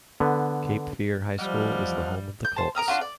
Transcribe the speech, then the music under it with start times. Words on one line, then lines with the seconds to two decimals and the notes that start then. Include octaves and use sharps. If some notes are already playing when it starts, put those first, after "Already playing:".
Cape Fear High School is the home of the Colts.
0.20 D3 B3
1.38 F3 G3 D#5 F#5 F6
2.45 G6
2.56 C5 A5
2.75 A#4 A#5 D#6 F6
2.88 D4 F4 F#4
3.01 D5